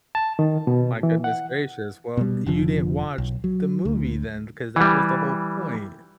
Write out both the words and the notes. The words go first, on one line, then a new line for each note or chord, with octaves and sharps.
My goodness gracious. Well, you didn't watch the movie then, because that was the whole point.
A5
D#3
B2
E3
F#5
B2 G3
F1 D3 F3
B1
F#3
D2
E3 G3